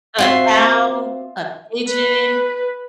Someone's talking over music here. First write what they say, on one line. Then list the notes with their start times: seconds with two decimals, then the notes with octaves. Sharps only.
a cow, a pigeon,
0.19 C4 F4 F#4 E5 C6
1.88 B4